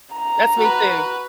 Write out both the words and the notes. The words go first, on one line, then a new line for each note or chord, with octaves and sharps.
That's me too.
A#5
F#4 B4